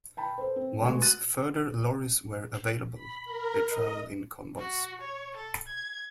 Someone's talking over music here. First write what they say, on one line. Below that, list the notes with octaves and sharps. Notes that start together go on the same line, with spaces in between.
Once further lorries were available, they travelled in convoys.
G5 A5 B5
A4 B4 C5
C4
G#3 A3 B3 F#4 G#5 C#6
F#4 F#6 A6 D#7
B5
A#4
D#5
F#4
C#5
A4
G#6